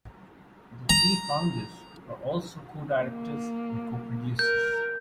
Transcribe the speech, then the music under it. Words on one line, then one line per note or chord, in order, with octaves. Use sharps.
The three founders are also co-directors and co-producers.
A#5
A#3
A#4 G6